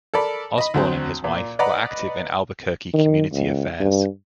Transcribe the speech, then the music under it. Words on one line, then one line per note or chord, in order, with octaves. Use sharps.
Osborn and his wife were active in Albuquerque community affairs.
A4 A#4 D5 B5
D#5 B5
D2 F#3 C4
A#2
B4 D5 D#5 F#5 A#5 B5
D#3
C#2
G2